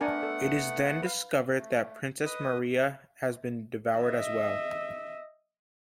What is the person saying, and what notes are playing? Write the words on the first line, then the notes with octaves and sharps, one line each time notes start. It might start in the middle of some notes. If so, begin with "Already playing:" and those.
It is then discovered that Princess Maria has been devoured as well.
A3 B3 D4 A#4 F#5 G#5
A4
B4 F5
A3
B4 D#5 D#6
D#5 E5